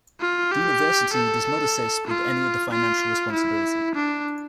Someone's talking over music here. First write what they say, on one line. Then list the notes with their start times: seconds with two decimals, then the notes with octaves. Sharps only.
The university does not assist with any of the financial responsibility.
0.20 F4
0.51 G4
1.14 A4
2.07 F4
2.71 F4
3.32 E4
3.95 D4